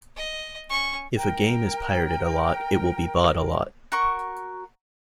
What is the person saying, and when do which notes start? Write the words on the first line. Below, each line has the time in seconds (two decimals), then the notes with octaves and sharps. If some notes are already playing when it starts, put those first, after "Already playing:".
If a game is pirated a lot it will be bought a lot.
0.16 D#5
0.70 C#4 C#6
1.16 A#4 G5
3.92 F#4 A#4 C#6